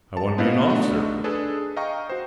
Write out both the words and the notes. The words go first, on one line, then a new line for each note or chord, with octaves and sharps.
I want to be an officer.
A5
B3 C4 B4 D#5 F5
A3 D4 D#4 F#4 D#5
D4 G#4 A4 B4
D#5 F5 G5 A#5 C#6
F#4 C5